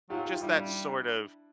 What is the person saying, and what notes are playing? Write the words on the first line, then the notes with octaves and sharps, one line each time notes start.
just that sort of
F#3 F4 G4
F4 G4
E4
G3 D#4 F4
D4 E4